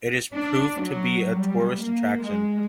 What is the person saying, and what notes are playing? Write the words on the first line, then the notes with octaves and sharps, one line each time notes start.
It has proved to be a tourist attraction.
D4
F#3
G3
A#3
G#3